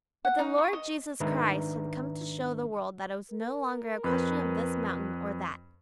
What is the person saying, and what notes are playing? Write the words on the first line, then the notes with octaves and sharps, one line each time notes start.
But the Lord Jesus Christ had come to show the world that it was no longer a question of this mountain or that.
F#5
D#4
C#6
D#5
G#2 D#3 D4 B4 E5 A#5
A#4
F2 B4